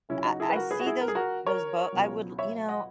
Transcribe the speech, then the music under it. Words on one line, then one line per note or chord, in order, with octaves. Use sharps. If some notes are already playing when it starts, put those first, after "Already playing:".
I I see those those boat I would l you know,
C#2 C#3 F#3 C#4 E4
D#4 F#4
E4 G#4
B4
F#4 A#4
G#4 B4
F#4
E4 G#4
A#4
G#4
F#4 A#4
A#4 C#5
C#2 B2 F#3
C#5 E5
D#5 F#5